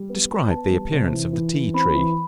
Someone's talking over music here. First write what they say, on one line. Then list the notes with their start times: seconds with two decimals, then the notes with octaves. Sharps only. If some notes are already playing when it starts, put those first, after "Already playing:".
Describe the appearance of the Tea-tree.
Already playing: G3
0.09 B3
0.30 B3
0.50 B3 A5
0.71 G3
0.92 C3
1.13 E3
1.33 E3
1.54 E3
1.74 C4 B5
1.95 E3